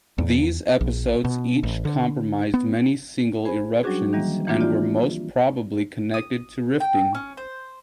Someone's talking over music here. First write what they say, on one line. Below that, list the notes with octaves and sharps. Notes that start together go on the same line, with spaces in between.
These episodes each comprised many single eruptions and were most probably connected to rifting.
E2
A#1
B2
A1
D3
B3
G#4 C5 G#5 B5
F#3 G3 C#4 D4 F#4 G#4
D#3 E3 F#3 G3 A#3
E3 A#3 C4 D4 F4 F#4
F4 G4 D5
D#6
G5
C#4
C5